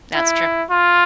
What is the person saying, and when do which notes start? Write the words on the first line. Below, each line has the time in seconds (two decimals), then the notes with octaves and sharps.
That's true.
0.15 E4
0.70 F4